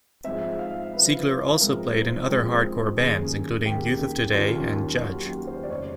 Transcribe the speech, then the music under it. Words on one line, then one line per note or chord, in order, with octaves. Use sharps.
Siegler also played in other hardcore bands, including Youth of Today and Judge.
G#2 F3 G#3 C4 E5
F5
G#2 F3 G#3 C4 B4
C5
B4
G#2 F3 G#3 C4 A#4
G#2 F3 G#3 C4
D#2 D#3 F#3 A#3 C#4 G#4
D#2 D#3 F#3 A#3 C#4 G4
D#2 D#3 F#3 A#3 C#4 F4
D#2 D#3 F#3 A#3 C#4 F#4
G4
C5
D5
F1 C#3 C#5